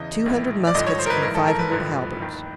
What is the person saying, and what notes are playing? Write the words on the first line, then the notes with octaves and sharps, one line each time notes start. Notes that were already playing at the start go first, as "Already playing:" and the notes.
"Two hundred muskets and five hundred halberds."
Already playing: E2 C#3 E3 D#5
A#1 A2 E3
D5
G#1 G2 D3 F3 D#5
C#5
C5
A#4
B4
A#1 G#2 E3 A#4
A4
A#4
B4
A1 G2 D3 F3
F1 D#2 D#3